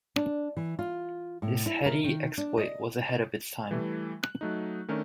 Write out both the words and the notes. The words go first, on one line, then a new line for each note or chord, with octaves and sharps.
This heady exploit was ahead of its time.
D4
E3
F4
A2
E4
A#4
D#3
D4
D#5
E3 G3 A3 E4
F#6
F#3 A3 D#4
D#3 A3 C#4 D4 A#4